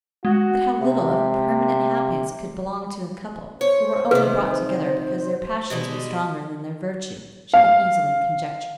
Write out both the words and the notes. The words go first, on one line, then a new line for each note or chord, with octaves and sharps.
But how little of permanent happiness could belong to a couple who were only brought together because their passions were stronger than their virtue, she could easily conjecture.
G#3 F#4
C3
C5 C#5
C3 D#3 B4
B2 G3 G#3
F5